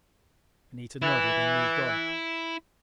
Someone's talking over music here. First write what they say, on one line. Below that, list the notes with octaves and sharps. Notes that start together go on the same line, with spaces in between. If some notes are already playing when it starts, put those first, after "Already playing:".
Anita nodded and moved on.
E3 E4